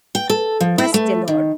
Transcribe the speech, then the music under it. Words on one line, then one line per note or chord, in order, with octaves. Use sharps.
Bress de Lord!
G5
A4
F3
E4
A3
D#3